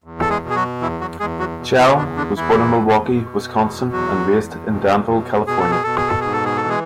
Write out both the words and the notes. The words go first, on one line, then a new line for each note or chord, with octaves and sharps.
Chiao was born in Milwaukee, Wisconsin and raised in Danville, California.
E2
A4
G#3 G#4
B2
G#4
F#3 F#4
E2 E3 E4
F#3 F#4
E2 G#3 G#4
F#3 F#4
B2
E3 E4
E2 D3 D4
D3 D4
E2 E3 E4
E2
B2
E2
E2 F#3 F#4
E2
B2
B2
B2 G#4
A4
G#4
B2 A4
G#4
A4
G#2 G#4
A4
G#4
A4
E3
G#3 G#4